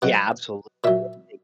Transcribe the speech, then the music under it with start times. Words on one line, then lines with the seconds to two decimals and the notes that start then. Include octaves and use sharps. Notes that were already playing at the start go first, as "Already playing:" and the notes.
Yeah, absolutely. I think
0.02 B2 F#3 F#5
0.84 A#2 F#3 E5